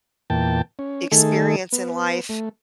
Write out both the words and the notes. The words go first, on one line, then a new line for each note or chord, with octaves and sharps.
experience in life
E2 A#2 G5 A5
C#4
D#3 A3 G#4 A4
B3
A3